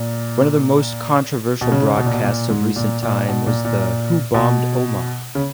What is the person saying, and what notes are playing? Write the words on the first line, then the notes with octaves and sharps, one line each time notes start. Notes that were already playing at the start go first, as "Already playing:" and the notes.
One of the most controversial broadcasts of recent time was the Who bombed Omagh?
Already playing: A#2
B2
C#3
B2
A#2
B2
A#2
G#2
A#2
A#2
B2
A#2
A#2
B2
C#3